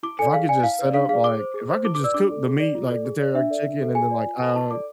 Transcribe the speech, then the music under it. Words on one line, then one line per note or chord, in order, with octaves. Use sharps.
if I could, just, set up, like if I could, just, cook the meat, like, the teriyaki chicken and then, like, uh,
E4 D6
A4 D5 G#5
G#4 F5
D5 G#5
E4 F5
B4 D5
D4 F5
G#4 D5 F5
G#4 D6
C5
G#4
C5
E4 D6
D6
B4 D5 E6
D4 D6
A4 D5
G#4
D5
F4
A4 D5
G#4
B4 D5
D4 E5
A4 D5
D4
A4 C5
G#4 G#5
B4 D5
F4
A4 C5
E4 A5
A4 D5 D6